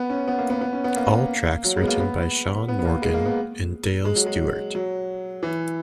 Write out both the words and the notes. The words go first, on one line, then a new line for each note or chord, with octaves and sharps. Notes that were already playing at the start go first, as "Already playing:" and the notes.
All tracks written by Shaun Morgan and Dale Stewart.
Already playing: B3
C#4
B3
A#3
B3
B3
C#4
B3
A#3
F#3
G#3
B3
A#3
B3
B3
B3
A#3
G#3
A#3
B3
G#3
F#3
G#3
F#3
E3